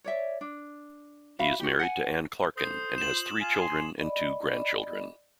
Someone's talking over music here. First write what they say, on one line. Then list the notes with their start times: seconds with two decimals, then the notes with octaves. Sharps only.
He is married to Anne Clarkin, and has three children, and two grandchildren.
0.04 C#5 D5 E5
0.41 D4
1.39 F#4 E5 F5 B5
1.60 F#4 G4
1.79 F#5 G#5
2.57 A4 C5 D#6
2.98 F4 E7 F#7
3.41 F4 G#5
3.61 C6
3.98 D5 D#5 B5